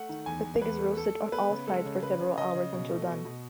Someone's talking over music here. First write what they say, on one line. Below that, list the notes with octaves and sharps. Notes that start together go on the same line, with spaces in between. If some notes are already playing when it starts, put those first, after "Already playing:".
The pig is roasted on all sides for several hours until done.
Already playing: A3 F#5
D#3
E2 G#5
E2
E2 B4
A3
A3 A4
A3
B3 B4
C#3
G#3 A4
C#3
C#3 B4
C#3
C#3 D#5
C#3
B2
A3
B2
B2